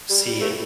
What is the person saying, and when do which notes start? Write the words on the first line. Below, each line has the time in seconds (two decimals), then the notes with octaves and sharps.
see it
0.10 G3
0.26 G3
0.41 A3